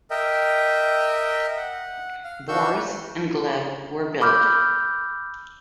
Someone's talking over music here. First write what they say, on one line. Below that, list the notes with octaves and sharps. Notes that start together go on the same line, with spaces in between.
Boris and Gleb were built.
A#4 D#5 E5 G5
F#5
F5
D4 F#4 F5 C#6 E6 G6
B5 D6 E6 F6 G6